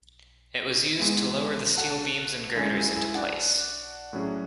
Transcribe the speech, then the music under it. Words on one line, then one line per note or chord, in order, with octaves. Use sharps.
It was used to lower the steel beams and girders into place.
E3 G#3 B3 E4
F#4 A4
D3 G#3 C#4 E4 G#4
E4 G#4
E4 G#4
D4 F#4
A2 F#3 C#4 G#4